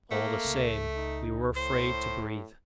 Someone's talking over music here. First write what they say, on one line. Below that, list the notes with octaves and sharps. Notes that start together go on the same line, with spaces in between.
All the same, we were afraid to breathe.
A3 A#3
C#2
D#4
A2 C5